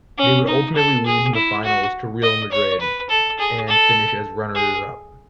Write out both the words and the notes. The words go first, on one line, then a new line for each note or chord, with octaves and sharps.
They would ultimately lose in the finals to Real Madrid, and finish as runners-up.
C#4
D#4
A4
G#4
E4
F#4
D#5
C#5
B4
A4
G#4
A4
G#4